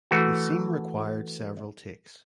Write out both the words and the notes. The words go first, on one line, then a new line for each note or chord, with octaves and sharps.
The scene required several takes.
E3 A3 F#4